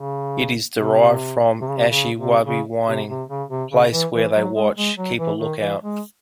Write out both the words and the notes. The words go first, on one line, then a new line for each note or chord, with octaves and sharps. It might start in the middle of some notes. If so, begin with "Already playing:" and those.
It is derived from "ashiwabiwining" "place where they watch, keep a lookout".
Already playing: C#3
C3
C3
C#3
C3
C#3
C3
C#3
C3
C3
C#3
C3
C#3
E3
E3
F#3
G#3
G#3
F#3
E3
D#3
E3
G#3